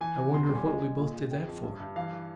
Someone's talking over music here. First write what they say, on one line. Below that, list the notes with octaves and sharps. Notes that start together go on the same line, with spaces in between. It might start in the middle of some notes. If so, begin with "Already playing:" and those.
"I wonder what we both did that for?"
E3 G#5
C3
E2 C6
C6
G3
G#5
G#3
G#3
A#2
G#3
G#3 G5
F2
G2
G2
E3 F5
E3